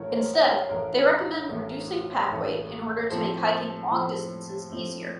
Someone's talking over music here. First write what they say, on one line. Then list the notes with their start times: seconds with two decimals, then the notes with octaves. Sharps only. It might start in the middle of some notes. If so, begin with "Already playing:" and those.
Instead, they recommend reducing pack weight, in order to make hiking long distances easier.
Already playing: A1 A2 A3 A#4 C#5
0.09 C5
0.15 A#4 C#5
0.34 F#5
0.43 C#5 F5
0.69 A1 A2 A3 A#4 C#5
1.49 A1 A2 A3
2.30 A1 A2 A3
3.10 A2 F3 C4 A4 C5
3.90 A2 F3 C4
4.71 A2 F3 C4